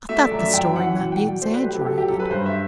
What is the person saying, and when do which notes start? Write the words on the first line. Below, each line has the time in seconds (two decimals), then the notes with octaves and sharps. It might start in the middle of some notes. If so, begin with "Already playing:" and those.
I thought the story might be exaggerated.
0.09 A3 E5
0.24 D5
0.31 F#2
0.39 E5
0.53 F#2 G5
0.75 E3 F#5
0.97 B2
1.12 G5
1.20 B2
1.27 D5
1.42 A3 C5
1.53 B4
1.64 F#3 G4
1.75 A4
1.81 G4
1.86 F#3 A4
1.98 G4
2.08 F#2 A4
2.19 B4
2.30 G2 C5
2.46 E5